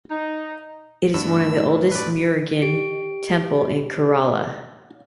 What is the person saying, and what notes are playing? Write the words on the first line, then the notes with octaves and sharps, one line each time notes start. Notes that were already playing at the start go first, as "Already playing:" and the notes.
It is one of the oldest Murugan temple in Kerala.
D#4
G2 D3 A3 B3 E6
F2 A#2 A3 B4 D5
G4 D7